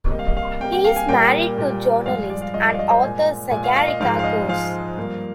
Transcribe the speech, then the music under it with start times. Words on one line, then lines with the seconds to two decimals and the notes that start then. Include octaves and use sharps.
He is married to journalist and author Sagarika Ghose.
0.12 C3 G3 A#3 D#5
0.19 F5
0.27 D#5
0.37 F5
0.60 C3 G3 A#3 G5
0.72 G5
0.85 F5
0.96 G#5
1.09 A#2 G3 A#3 G5
1.58 A#2 G3 A#3
2.06 G2 F3 G#3 F5
2.30 D5
2.42 F5
2.54 G2 F3 G#3 D#5
2.67 D5
2.74 F5
2.79 D#5
2.91 C5
3.02 A#2 G#3 G#5
3.51 A#2 G#3 G#5
3.64 F5
3.76 F5
3.88 D#5
4.00 G#2 F3 G#3 F5
4.19 F5
4.24 D#5
4.48 G#2 F3 G#3 F5
4.97 G2 F3 A#3